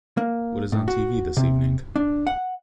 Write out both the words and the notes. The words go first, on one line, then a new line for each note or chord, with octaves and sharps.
What is on TV this evening?
A#3
A2
F#4
C3
D4
F#5